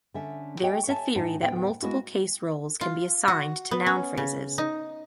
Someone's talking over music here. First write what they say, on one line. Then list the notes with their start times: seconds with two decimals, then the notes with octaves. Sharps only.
There is a theory that multiple case roles can be assigned to noun phrases.
0.14 D3 C#4 E5
0.62 G4 D#5 G5 G#5
0.87 C#5 E5 G#5 A5
1.16 A2 D#4 G#5 A5
1.42 D2 A2 B3 G5
1.82 G#3 A#3 B3 E4 F#4
2.81 F4
3.28 F#4
3.71 B3
3.86 C#4
4.17 C#3
4.58 D#4